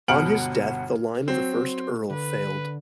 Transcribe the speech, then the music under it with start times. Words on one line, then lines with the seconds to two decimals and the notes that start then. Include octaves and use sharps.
On his death the line of the first Earl failed.
0.08 G1 B2 F#5 F6 D7 F#7
1.28 F#3 C4
2.10 D3 B4